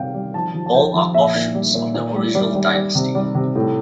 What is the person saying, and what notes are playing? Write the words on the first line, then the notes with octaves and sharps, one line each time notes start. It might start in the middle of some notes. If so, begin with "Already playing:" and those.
All are offshoots of the original dynasty.
Already playing: C3 G3 F5 G5
G3
F3 A5
F3
A5
F3 G5
F3
A#2 E5
A#2
G3
A#2
A#2
G3
G3
G3
G3
C3
G3
C3
A2